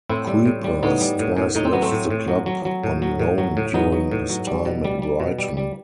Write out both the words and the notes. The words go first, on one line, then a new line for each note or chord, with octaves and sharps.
Kuipers twice left the club on loan during his time at Brighton.
A2 C4 E4
G3
A2
G3
A2 B3 D#4
G3
A2
A2
A2 D#4
C4
F#3 B3
A3 C4
A2
A2
F#3
F#3
F#3
A2
F#3
A2
F#3
A2
F#3 B3 D#4
F#3
A2
F#3
G3
B2
G3
G3
B2
G3
G3